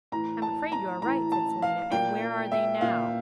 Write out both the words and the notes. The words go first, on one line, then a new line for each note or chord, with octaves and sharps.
'I am afraid you are right,' said Selina; 'and WHERE ARE THEY NOW?'
A2 E3 A#5
A5
A#5
A2 E3 A#5
A5
F5
A#2 G5
E5
A#2 F5